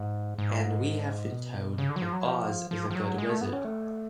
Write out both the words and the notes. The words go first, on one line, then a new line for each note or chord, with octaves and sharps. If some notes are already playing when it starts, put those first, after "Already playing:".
And we have been told that Oz is a good Wizard.
Already playing: G#2
G#2
B2
C#3
D3
F#3
F3
F#3
F3
F3
F3
F#3
G#3
A3
B3
C#4
A3